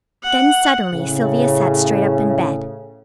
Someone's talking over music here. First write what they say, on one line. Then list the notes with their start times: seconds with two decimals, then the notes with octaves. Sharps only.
Then suddenly Sylvia sat straight up in bed.
0.23 F#5
0.92 A2 C#3